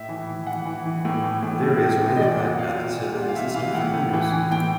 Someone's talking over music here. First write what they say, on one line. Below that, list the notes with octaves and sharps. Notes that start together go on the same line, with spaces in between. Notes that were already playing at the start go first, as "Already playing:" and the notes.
Various waveguide methods have existed for years.
Already playing: A2 E5
E3
E3
E3 F#5
E3
E3
A2
E3
A2
A2
A2
E3
D#5
A#2 D5
A#2 F#5
F#5
A#2 F5
A#2
A#2
A#2
F#5
F5
E3 E5
E3 F5
A2 F#5
A2
E3
E3
A2 G5